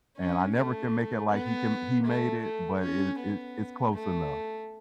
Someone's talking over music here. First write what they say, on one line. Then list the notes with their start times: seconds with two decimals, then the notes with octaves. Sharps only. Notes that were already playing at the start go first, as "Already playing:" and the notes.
And I never can make it like he can he made it, but it it it's close enough.
0.18 C#4
0.55 A3
1.30 B3
2.05 A3
2.42 A3
2.80 C#4
3.19 B3
3.93 A3